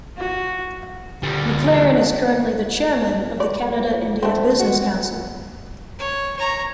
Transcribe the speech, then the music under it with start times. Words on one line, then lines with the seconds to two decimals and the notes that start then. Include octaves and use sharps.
MacLaren is currently the Chairman of the Canada-India Business Council.
0.17 F#4
1.23 D2 G3
3.40 D5
4.23 A3 C4 D4
4.59 F#4
5.99 C#5
6.36 C#5 A#5